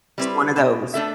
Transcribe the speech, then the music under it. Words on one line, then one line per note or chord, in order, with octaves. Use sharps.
one of those.
G3 C4 E4 B4
B2
A3 D4 A4 E5